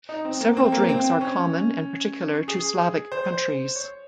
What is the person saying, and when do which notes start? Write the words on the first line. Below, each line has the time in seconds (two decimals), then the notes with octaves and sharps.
Several drinks are common and particular to Slavic countries.
0.09 D#4
0.25 C4
0.41 A#3
0.57 C4
0.72 A#3
0.89 C4
1.04 C4
1.21 C#4
2.48 G#4
3.12 C5
3.28 C5
3.76 C#5